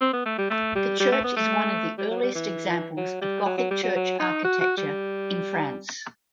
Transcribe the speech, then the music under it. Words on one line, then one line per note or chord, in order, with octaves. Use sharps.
The church is one of the earliest examples of Gothic church architecture in France.
C4
B3
A3
G3
A3
G3
G3
A3
B3
A3
G3
F#3
G3
E3
F#3
G3
F#3
F#3
G3
F#3
F#3
D#4
F#4
F#4
G3